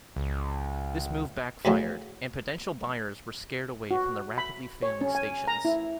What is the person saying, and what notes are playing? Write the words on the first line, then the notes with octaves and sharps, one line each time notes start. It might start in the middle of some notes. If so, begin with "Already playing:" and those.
This move backfired, and potential buyers were scared away from the rapidly failing stations.
C#2
D2 C#3 E3 F#3
F#4
B5
C#5
C#4
G#5
A#5
E4